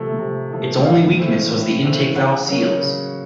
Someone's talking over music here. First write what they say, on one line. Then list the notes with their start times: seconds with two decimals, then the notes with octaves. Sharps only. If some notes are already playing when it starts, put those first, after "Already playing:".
Its only weakness was the intake valve seals.
Already playing: C3 F3 A3
0.19 C3
0.51 F3 A3
0.85 A2 F5
1.17 E3 A3 C4
1.50 A2
1.83 E3 A3 C4
2.15 C#3 F#5
2.49 F#3 A#3 C#4
2.81 C#3